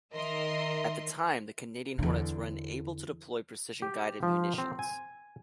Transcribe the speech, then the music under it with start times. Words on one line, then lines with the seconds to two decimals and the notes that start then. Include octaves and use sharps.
At the time the Canadian Hornets were unable to deploy precision guided munitions.
0.14 D#3 A#4 D#5 E5 C6
1.99 E2 D3
3.82 G4
4.23 F3
4.58 C4
4.79 G#5